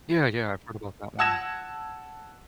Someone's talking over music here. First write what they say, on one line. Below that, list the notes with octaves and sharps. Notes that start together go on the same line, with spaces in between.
Yeah, yeah, I've heard about that one.
F#5 A5 E6 G#6 A#6 E7